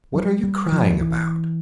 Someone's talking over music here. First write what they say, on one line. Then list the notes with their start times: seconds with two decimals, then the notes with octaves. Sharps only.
"What are you crying about?"
0.15 F#3
0.43 G3
0.72 F3
1.01 E3